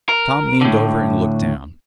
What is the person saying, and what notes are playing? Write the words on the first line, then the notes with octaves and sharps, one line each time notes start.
Tom leaned over and looked down.
A#4
A2 D3